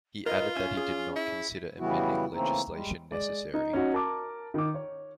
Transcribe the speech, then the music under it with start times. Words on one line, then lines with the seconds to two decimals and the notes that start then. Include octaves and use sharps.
He added that he did not consider amending legislation necessary.
0.26 F4 A#4 B4 D#5
0.56 C#4 E5 G#5
0.77 G#4
1.16 E4
1.79 C#3 E3 G3 B3 E4 F#4
2.34 C#3 E3 A3 A#3 C4 D#4
2.70 G3 G#3
3.11 G#3 D5
3.54 D#4
3.73 C#4 D#4 F#4
3.93 A#4 A5 D6
4.54 D#3 D6
4.74 C#5